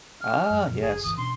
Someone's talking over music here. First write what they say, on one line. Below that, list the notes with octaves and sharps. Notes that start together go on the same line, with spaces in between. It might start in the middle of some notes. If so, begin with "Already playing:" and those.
Ah, yes.
F6
F#2
F#2 B2 F3
F#1 G#4
G1 D#2 E3 D#6
B2 C#4 D4 C6